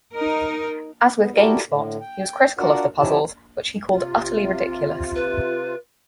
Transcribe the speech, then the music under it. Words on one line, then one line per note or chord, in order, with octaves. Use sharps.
As with GameSpot, he was critical of the puzzles, which he called utterly ridiculous.
D#4 A#4
B3
E4 F#4 G4 A4 A#4 D5
A2 D3
G5
D4 F4 F#4 A#4 D5 F#5
F3 C#4 D#4 E4 G4 A5
C3 F4
B4